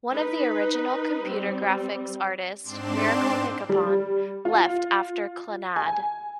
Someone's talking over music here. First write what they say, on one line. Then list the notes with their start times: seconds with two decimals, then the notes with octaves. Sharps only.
One of the original computer graphics artists, Miracle Mikipon, left after "Clannad".
0.11 D#4 B4
1.26 G3 C4
2.63 G#2 C4 D4 C6 D6 E7
3.69 G3
4.45 F4
5.76 G#5